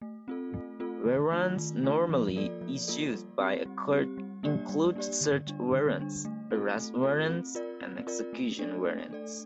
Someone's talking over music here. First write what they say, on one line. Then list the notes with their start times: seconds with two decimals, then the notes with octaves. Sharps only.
Warrants normally issued by a court include search warrants, arrest warrants, and execution warrants.
0.01 A3
0.28 C4 F4 A4
0.54 A3
0.80 C4 F4 A4
1.06 D#3
1.32 A3 D4 F4
1.57 D#3
1.84 A3 D4 F4
2.09 F3
2.36 A#3 F4 A4 D5
2.61 F3
2.88 A#3 F4 A4 D5
3.14 G3
3.40 C4 G4
3.66 G3
3.91 C4 G4
4.17 G3
4.43 A#3 D4 G4 D5
4.69 G3
4.95 A#3 D4 G4 D5
5.21 D3
5.47 G3 D4
5.73 D3
5.99 G3 D4
6.25 A3
6.51 C4 F4 A4
6.77 A3
7.03 C4 F4 A4
7.29 C4
7.55 F4 A#4 D5
7.81 C4
8.07 F4 A#4 D5
8.33 A3
8.59 D4 A4 D5
8.85 A3
9.11 D4 A4 D5